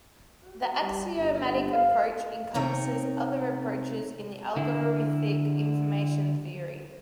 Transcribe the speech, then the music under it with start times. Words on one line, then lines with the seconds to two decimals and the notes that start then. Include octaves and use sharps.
The axiomatic approach encompasses other approaches in the algorithmic information theory.
0.80 G3
1.17 G1
1.72 F5
2.54 C3 C4 D#4 C#5 A#5
4.56 D3 E4